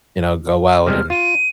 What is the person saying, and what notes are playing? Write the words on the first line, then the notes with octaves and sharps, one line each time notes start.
you know, go out and
C3 G3 G#3 F6
F4 D#7